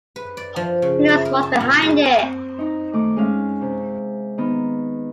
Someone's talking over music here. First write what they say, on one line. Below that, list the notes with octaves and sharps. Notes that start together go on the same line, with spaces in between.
Who knows what's behind it.
B4
D5
F3
C#3
E4
A#4
A5
A#2
G#3
C4
D#4 A#5
D#3 A3 D6
G#3 C#4 F5
C3
D#3 B3